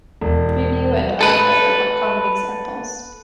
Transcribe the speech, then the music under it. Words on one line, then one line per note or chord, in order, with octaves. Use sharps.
Preview and iPhoto are common examples.
E1
A4 B4